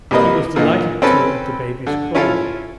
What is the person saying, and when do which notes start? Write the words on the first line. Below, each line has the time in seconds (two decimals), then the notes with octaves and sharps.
She was delighted, too, at the baby's crawling.
0.11 C2 G3 A#3 B4 D#5
0.56 A#2 D3 E3 D#4
1.02 C4 C#4 A4 B4
1.87 D3
2.15 C#4 E4 F4 A4 F5